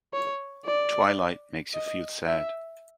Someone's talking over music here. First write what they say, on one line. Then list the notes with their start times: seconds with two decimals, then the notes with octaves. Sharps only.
Twilight makes you feel sad.
0.13 C#5
0.66 D5
1.74 D#5
2.27 E5